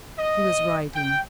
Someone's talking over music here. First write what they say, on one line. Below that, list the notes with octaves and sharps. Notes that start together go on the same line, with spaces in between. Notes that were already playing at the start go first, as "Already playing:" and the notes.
She was writing.
D#5
G5